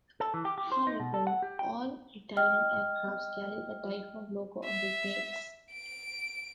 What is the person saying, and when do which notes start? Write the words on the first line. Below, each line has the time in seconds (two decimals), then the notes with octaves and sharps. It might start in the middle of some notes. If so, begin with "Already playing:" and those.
However all Italian aircraft carry the "Typhoon" logo on their tails.
0.20 A4
0.34 E3
0.45 G4
0.58 G4
0.72 C5
0.87 D#4
1.00 B2
1.14 A4
1.27 F#5
1.42 G4
1.59 G5
2.37 D#5 G5 F6
4.65 E5
5.72 D7